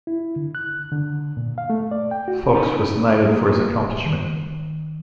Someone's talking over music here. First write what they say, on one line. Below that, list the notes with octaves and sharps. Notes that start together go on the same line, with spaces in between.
Fuchs was knighted for his accomplishment.
E4
D3
F#6
D3
A#2
F5
A3
D5
G5
F#4
C#4 D#4 A4 B4
G#3 A#3
D#3